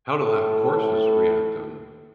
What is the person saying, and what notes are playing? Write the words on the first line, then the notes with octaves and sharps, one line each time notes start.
how do the h horses react, um
A2 A4